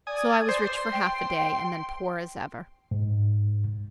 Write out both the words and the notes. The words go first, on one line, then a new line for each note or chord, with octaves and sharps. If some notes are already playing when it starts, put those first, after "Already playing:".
"So I was rich for half a day, and then poor as ever."
D5 G#5 D#6
C5 C6
G5
G#2